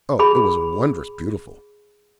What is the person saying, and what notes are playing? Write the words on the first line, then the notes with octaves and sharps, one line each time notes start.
Oh, it was wondrous beautiful!
G#4 B5